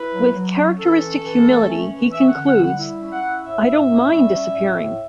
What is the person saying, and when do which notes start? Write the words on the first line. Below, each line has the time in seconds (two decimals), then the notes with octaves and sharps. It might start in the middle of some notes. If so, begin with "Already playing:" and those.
With characteristic humility, he concludes, I don't mind disappearing!
Already playing: E4 B4
0.13 F#3
0.34 F#3
0.57 C#4
0.79 E3 A4
1.01 C#4
1.23 E3
1.46 A3
1.68 C#4
1.90 E3
2.12 C#4 E5
2.29 F#5
2.35 D3
2.46 F#5
2.57 G3
2.62 F#5
2.78 E4
3.00 C#4
3.13 F#5
3.23 E4
3.45 A2 E5
3.68 A2
3.90 C#4
4.12 G3
4.34 C#4
4.56 A2
4.78 A2